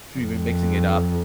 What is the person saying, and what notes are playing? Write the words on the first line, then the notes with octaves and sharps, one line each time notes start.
so we've been mixing it up,
F2